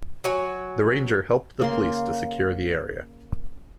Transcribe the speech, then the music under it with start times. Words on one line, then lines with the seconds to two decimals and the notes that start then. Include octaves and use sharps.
The Ranger helped the police to secure the area.
0.24 F#3 C#5 G#5
1.60 C#3 A#3 C6